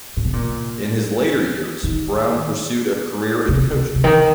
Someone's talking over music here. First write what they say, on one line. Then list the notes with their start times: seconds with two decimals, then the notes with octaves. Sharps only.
In his later years, Brown pursued a career in coaching.
0.17 A#2
0.25 C3
0.33 A#2
1.83 D#3
3.48 C3
3.95 C3
4.04 D#3